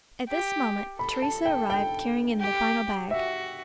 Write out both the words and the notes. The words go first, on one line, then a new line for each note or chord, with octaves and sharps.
At this moment Teresa arrived carrying in the final bag.
G4
A4 B5
A5
G5
G5
G4
F#4 E5